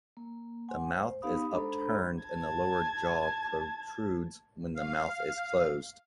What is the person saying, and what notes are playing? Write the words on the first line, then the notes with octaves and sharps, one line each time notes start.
The mouth is upturned and the lower jaw protrudes when the mouth is closed.
A#3
F#5 G#5 C6
C5
B3 D#4 G4 F5 B5 D#6
G#3 D4 A4 C5 A#5 B5
A5 G#6
F5